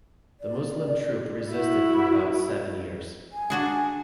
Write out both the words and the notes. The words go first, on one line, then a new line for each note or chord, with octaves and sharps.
The Muslim troop resisted for about seven years.
D5
E4 F#4
G#5
D4 F#4 G#4